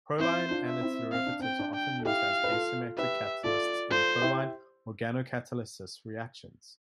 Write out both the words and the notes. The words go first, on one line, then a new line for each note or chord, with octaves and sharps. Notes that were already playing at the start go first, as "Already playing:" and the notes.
Proline and its derivatives are often used as asymmetric catalysts in proline organocatalysis reactions.
C4 E4 C5
D4 F4
E5
C4 E4
C4 F5
D4
C4 G5
D4
G5
A4
E4 G4 F5
B4
F4 A4
G4 B4 E5
F4 A4 D5
F4 A4 C5
E4 G4